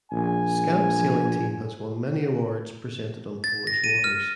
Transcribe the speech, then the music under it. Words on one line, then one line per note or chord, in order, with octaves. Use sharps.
Scamp Sailing Team has won many awards presented on Polish waters.
A#1 G#5
A6
A#6
D#7
F6